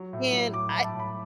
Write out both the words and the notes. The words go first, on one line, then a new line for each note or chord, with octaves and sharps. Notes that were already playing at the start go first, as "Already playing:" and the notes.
and I
Already playing: F#3
A2
F#3
A2 D6
A2 B5
A5
A2
B5